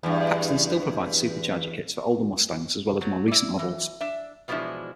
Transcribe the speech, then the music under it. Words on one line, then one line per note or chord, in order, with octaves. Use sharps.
Paxton still provides supercharger kits for older Mustangs as well as more recent models.
E2 G2
F#3 A3
E4 D5
E3
D4 E5
E2 B2 F3 G#3 D4 E4